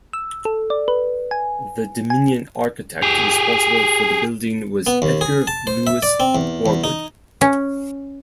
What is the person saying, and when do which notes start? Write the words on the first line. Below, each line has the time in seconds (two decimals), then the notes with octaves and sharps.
The Dominion Architect responsible for the building was Edgar Lewis Horwood.
0.13 E6
0.45 A4
0.70 D5
0.88 B4
1.31 G#5
2.10 G#5
3.02 G4 G#4
4.87 B3
5.02 D#2
5.21 G#4
5.47 A5
5.67 C5
5.87 E5
6.03 D5
6.20 C4
6.35 E2
6.66 E2
6.84 D#4
7.41 C#4